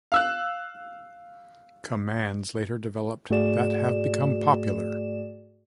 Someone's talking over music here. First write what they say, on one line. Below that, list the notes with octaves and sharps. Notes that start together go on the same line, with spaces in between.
Commands later developed that have become popular.
F5 E6 F#6
G#2 A3 F#4 G#4 D5 E7